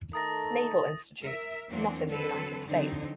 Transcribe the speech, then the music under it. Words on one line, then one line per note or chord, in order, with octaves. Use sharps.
Naval Institute, not in the United States.
D#3 A3 A4 A#5 D#6 A6 A#6
A#4 E5
E2 F#3 A#3 C4 D4 F#4
D3 F#3 C4 A4 B4
D3 E3 F#3 C4 D#4